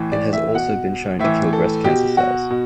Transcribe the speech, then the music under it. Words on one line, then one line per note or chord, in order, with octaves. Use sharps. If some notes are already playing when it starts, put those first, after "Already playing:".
It has also been shown to kill breast cancer cells.
Already playing: A2 E3
D5
E5
B2 F#5
A2 E3 E5
A4
B2 G4
F#4
B2